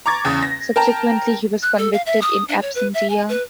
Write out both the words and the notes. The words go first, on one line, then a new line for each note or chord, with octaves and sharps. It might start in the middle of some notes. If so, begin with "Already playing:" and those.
Subsequently, he was convicted "in absentia".
A#5 C#6 D6 G#6 A6
E2 C#3
A#6
A#4 G5 A5 A#5
F#6
A4
F5
E5
D#6
D4
C#5
B4
E5
G#5
B4